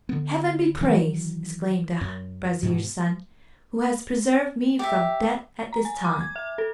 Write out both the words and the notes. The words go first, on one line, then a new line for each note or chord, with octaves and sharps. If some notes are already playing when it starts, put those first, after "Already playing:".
"Heaven be praised," exclaimed the vizier's son, "who has preserved me from death at this time!"
D3 B3
D#3 E3 F#3
F#2
G#2 B2
G4 E5
A#5
G#5
D6
G#6
E5
A4